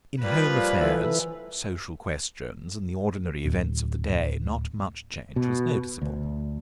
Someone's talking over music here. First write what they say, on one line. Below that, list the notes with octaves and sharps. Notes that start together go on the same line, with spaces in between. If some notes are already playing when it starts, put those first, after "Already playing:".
In home affairs, social questions, and the ordinary events of the day not much change was noticeable.
F3 G3 A#3 F4 B4
E3 A4
D1
B2
D2